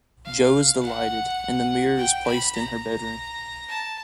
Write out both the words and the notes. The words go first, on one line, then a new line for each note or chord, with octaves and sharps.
Jo is delighted, and the mirror is placed in her bedroom.
F5
F#5
G5
B5
A#5
A5